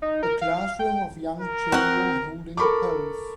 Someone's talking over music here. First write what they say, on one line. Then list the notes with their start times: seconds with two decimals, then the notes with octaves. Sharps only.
A classroom of young children holding a pose.
0.02 D#4
0.23 A#4
0.41 F5
0.79 G5
1.40 A#4
1.72 C4 F#4 F#5
2.57 A4 A#4 B5 C#6 D6